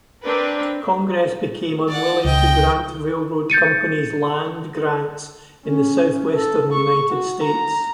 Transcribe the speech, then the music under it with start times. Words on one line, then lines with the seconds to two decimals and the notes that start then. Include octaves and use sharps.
Congress became unwilling to grant railroad companies land grants in the Southwestern United States.
0.23 C4 D4 A#4 B4
1.88 D5 F#5
2.25 C#2 D#5 G5
3.50 G6 A6 C#7 D#7
5.67 C#4
6.35 A4
6.73 C#6
7.11 F#4
7.43 A#5